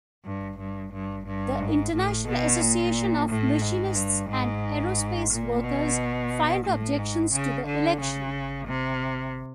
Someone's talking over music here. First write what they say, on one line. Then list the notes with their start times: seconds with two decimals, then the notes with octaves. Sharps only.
The International Association of Machinists and Aerospace Workers filed objections to the election.
0.25 G2
0.59 G2
0.93 G2
1.26 G2
1.60 G#2
1.94 A2
2.28 B2
2.60 A#2
3.29 A2
3.62 G#2
3.95 G2
4.30 G#2
5.31 A#2
5.64 B2
6.65 A2
6.98 G#2
7.33 C#3
7.66 D3
8.01 C#3
8.67 C3